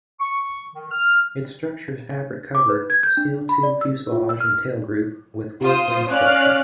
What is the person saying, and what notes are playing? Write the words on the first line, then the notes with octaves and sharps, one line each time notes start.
Its structure is fabric-covered, steel tube fuselage and tail group, with wood wing structure.
C#6
D#3
F6
D6
B4
G#6
G6
D4
B5
D5
E6
F4
E6
F6
F4 C5 D#6
C#4 D5 F5 F6 F#6